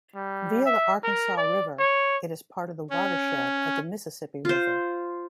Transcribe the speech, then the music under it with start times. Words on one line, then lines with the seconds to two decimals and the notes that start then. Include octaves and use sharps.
Via the Arkansas River, it is part of the watershed of the Mississippi River.
0.15 G3
0.66 E5
1.04 A#4
1.37 D5
1.79 C#5
2.90 C#4
4.45 F4 C5